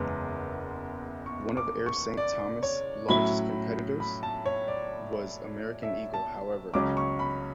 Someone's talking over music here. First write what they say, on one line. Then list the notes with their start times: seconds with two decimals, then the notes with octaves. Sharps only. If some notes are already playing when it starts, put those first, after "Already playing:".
One of Air Saint Thomas largest competitors was American Eagle, however.
Already playing: F#1 E2 C#3 G#3 B3
1.26 C#6
1.57 D6
1.86 C#6
2.17 D5
2.63 C#5
3.08 A2 F#3 C#4 E4 B5
4.00 B5
4.23 A5
4.46 C#5
4.68 D5
5.83 E5
6.14 A5
6.74 C#2 C#3 F#3 C#4 D6
6.97 C#6
7.19 B5